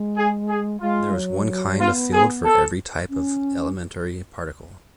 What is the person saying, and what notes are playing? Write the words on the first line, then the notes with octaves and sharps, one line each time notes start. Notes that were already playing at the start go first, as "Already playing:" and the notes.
There is one kind of field for every type of elementary particle.
Already playing: G#3
G#4
G#4
G#3 F4
F#3
B3 F4
G#4
A4
C#4